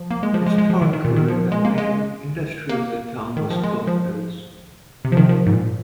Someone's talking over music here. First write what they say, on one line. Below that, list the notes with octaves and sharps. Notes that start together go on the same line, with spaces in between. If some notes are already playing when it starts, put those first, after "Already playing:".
Historically, the main industry of the town was cloth-mills.
Already playing: F3
A#3
G#3
F3
G#3
G#3
F3
D#3
D#3
A#2
D#3
F3
G#3
A#3
G#3
A#3
D#3
F3
G#3
F3
C3
F3
D#3
F3
G#2
A#2